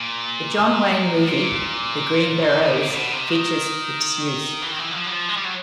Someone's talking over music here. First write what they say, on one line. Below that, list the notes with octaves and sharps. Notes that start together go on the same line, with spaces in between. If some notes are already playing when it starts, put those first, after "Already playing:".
The John Wayne movie "The Green Berets" features its use.
Already playing: A#2
A2
A#2
A2
A#2
A#2
B2
C3
D#3
E3
D#3
E3
F#3
F3
F#3
F3
G#3
G3
F#3